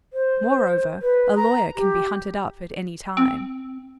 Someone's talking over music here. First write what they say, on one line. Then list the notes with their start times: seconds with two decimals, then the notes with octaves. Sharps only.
Moreover, a lawyer can be hunted up at any time.
0.13 C5
1.02 B4
1.36 A#5
1.76 G4
3.17 C4